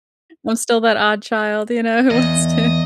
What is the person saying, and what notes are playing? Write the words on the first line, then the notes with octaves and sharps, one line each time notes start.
I'm still that odd child, you know, who wants to
E2 D#5